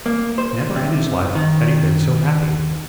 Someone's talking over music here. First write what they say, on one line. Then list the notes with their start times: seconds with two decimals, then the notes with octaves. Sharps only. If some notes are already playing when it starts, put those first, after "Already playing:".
Never in his life had he been so happy.
0.06 A#3
0.38 C5
0.76 C3
1.35 D#3